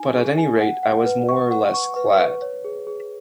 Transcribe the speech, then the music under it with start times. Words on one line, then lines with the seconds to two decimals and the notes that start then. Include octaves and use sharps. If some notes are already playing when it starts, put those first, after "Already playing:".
But at any rate I was more or less clad.
Already playing: D#4 G#5
0.16 G#4
0.38 G#5
0.60 F#5
0.83 F#5
1.05 B4
1.29 C#6
1.51 F#5
1.74 C#6
1.96 B4
2.20 B4
2.42 C#5
2.64 G#4
2.87 G#4